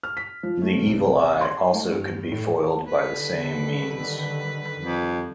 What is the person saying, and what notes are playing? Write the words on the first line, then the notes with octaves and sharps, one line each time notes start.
The "evil eye" also could be foiled by the same means.
F6
B6
F3
A3
C2
C6
A3
G2
A2
D3 D#3 G3 B4
F2